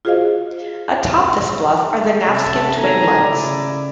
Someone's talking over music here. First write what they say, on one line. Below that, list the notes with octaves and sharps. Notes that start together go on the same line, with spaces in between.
Atop this bluff are the Navesink Twin Lights.
F4 F#4 G#4 C5 D#5 F5
C3 C#4 A4 E5 A5
G#1 A4 G#5 A#5
C#3 A3 E4 D5